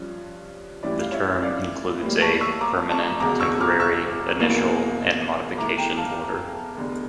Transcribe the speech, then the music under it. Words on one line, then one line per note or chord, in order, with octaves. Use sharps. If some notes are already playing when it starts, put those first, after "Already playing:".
The term includes a permanent, temporary, initial, and modification order.
Already playing: G2 F3 C#4
A2 E3 G3 C#4 E4 D5
F5
C#5 E5
D5 F5
A2 G3 A#3
A5 C#6
C#6 E6
A#5 D6
A5 C#6
E1 E2 C#3 A#5 D6
C#6 E6
D6 F6
C#6 E6
E1 E2 E3 A#3
E2 E3 A3 A#5 D6
G5 A#5
F5 A5
F1 E2 D3